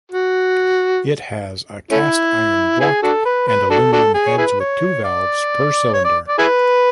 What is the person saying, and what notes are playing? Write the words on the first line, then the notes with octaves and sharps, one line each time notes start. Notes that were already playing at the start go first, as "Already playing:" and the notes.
It has a cast iron block and aluminum heads with two valves per cylinder.
F#4
A3 C#4 E4
B3 E4 G#4
D4 F#4 A4
B4
B4
D4 F#4 A4
D4 F#4 A4
G#4
C#5
E4 G#4 B4
C#5
D5
C#5
D5
D5
E4 G#4 B4